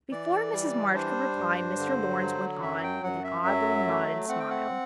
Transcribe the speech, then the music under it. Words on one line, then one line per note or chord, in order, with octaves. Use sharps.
Before Mrs. March could reply, Mr. Laurence went on with an odd little nod and smile...
E3 D5
G3
D4 C5
G2
D3
F#3
F#2 E5
G5
F#2 F#5
E5
F#3
A3
C4 F#5
G5
F#5